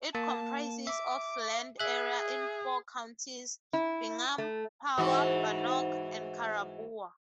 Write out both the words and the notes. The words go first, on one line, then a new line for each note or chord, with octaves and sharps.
It comprises of land area in four counties: Bingham, Power, Bannock, and Caribou.
A#3 A5
E5 D6
G#4 E5 F#6
E4
A3
G#2 E3 F#4